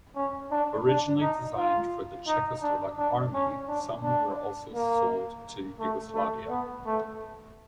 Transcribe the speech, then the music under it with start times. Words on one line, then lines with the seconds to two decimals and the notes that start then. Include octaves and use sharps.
Originally designed for the Czechoslovak Army, some were also sold to Yugoslavia.
0.16 C#4
0.51 D4
0.87 D4
1.21 D#4
1.57 F4
2.27 D#4
2.62 D4
2.98 D4
3.34 C#4
3.68 D4
4.03 D4
4.74 A#3
5.80 A3
6.14 A3
6.49 B3
6.86 A3